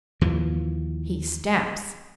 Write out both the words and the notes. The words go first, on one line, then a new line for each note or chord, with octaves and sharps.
He stamps.
D#2 E3 F3